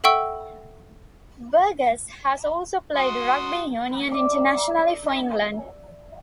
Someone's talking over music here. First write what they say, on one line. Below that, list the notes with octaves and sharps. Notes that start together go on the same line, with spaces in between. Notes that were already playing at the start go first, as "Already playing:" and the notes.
Burgess has also played rugby union internationally for England.
A4 E5 F#5 G5 C#6 E6
F#4 C6 D#6
D5 E5